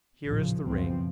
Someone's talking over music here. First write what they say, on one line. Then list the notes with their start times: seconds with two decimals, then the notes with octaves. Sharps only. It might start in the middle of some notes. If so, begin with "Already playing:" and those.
Here is the ring.
0.25 A1 D#2 A#2 C#3 F3
0.68 C#2 F#2 B2 F3 C4